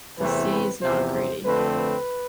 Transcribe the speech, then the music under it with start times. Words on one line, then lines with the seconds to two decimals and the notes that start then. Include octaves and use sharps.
The sea is not greedy.
0.18 E2 C3 E3 A3 C4 B4
0.50 B4
0.81 E2 C3 F3 C5
1.13 C5
1.44 F2 D3 A3 C4 B4
1.76 B4